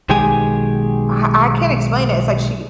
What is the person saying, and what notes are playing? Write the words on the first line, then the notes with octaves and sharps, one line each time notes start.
I I can't explain it. It's like she
B1 D#3 G#3 G4 G#4 G#5